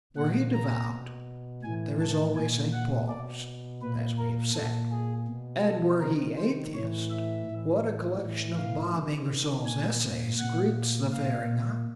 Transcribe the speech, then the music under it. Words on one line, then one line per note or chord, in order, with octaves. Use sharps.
Were he devout, there is always St. Paul's, as we have said; and were he atheist, what a collection of Bob Ingersoll's essays greets the faring eye!
A#2 F#5
A#5
B2
A2 E3 G#5
A5
A#2 G#5
F#5
B2 D5
A#2 B4
A#4
A#2 A4
G#4
B2
A4
C3 D#3 A#4
C5
A2 E3 C#5
E5
A2 E3
A2 E3
F5
C3 D#3
A#2 G#5
A#2 F#5
A#2 F5